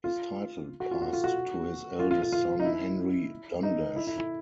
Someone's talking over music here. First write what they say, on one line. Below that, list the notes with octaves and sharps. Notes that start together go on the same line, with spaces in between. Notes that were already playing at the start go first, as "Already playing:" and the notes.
His title passed to his eldest son Henry Dundas.
F4
F#4
F4
F#4
F4
F#4
F4
F4
F4
F4
D#4
E4
D#4
E4
E4
E4